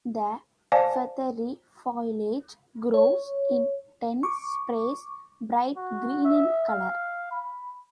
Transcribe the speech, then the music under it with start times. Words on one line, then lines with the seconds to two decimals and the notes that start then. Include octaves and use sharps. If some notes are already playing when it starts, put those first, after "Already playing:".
The feathery foliage grows in dense sprays, bright green in color.
0.72 C5 D5 F5 G#5 A5
2.94 C#5
4.23 C#6 D6
5.77 F#4
6.25 E5
6.69 F5
7.31 B5